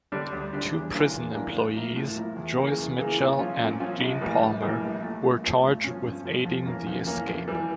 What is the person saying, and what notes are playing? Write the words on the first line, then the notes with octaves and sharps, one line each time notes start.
Two prison employees, Joyce Mitchell and Gene Palmer, were charged with aiding the escape.
D3 G3 D4 G4
D2
D3 G3 D4 G4
E2
E3 A#3 D4 F4
E2
E3 A#3 D4 F4
A2
F3 A#3 E4
A2
F3 A#3 E4
E2
C#3 E3 A#3
E2
C#3 E3 A#3
A#2
F3 C#4 F4
A#2
F3 C#4 F4
A#1
A2 E3 G3 A#3
A#1
A2 E3 G3 A#3
A#1
A#2 A3
A#1
A#2 A3
G2
F3 C#4
G2
F3 C#4
F2
E3 A#3 C#4
F2
E3 A#3 C#4
F2
E3 G3